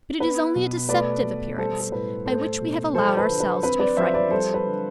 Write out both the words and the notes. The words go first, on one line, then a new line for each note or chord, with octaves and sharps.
But it is only a deceptive appearance by which we have allowed ourselves to be frightened.
B3 B4
B2
A3 B4 D5
B2
G3 A4 C5
A4
A2 B4
A3 A4 C5
B2
F3 A4 C5
B4
D3
B4
C4 B4
B4 D5
F3 C5 E5
B4 D5
G3 A4 C5
B4
D3